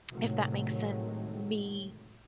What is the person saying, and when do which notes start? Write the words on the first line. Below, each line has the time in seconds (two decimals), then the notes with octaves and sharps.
if that makes sense. Me,
0.13 A2 C3 D#3 F#3 G#3 A3